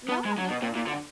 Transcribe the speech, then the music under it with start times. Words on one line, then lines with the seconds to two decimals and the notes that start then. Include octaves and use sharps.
No, no, go ahead.
0.09 B3
0.26 G#3
0.38 F#3
0.51 B2
0.62 A#2
0.75 A#2
0.87 D3